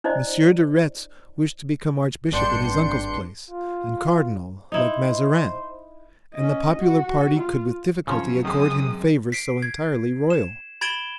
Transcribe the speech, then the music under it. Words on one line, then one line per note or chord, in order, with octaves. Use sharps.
Monsieur de Retz wished to become archbishop in his uncle's place, and cardinal, like Mazarin; and the popular party could with difficulty accord him favors so entirely royal.
D4 E4 C5 D5 D#5
G#1 G2 D4 C6 G6 C#7
F4
D#4 E4 C5
C#4 D#5
F#4
F4
F#2 C#3 F3 C#5
C3 D#3 G#3 D#6
B6 C7 D7
G#6
E7
B5 G#6 A6 D7 E7 G7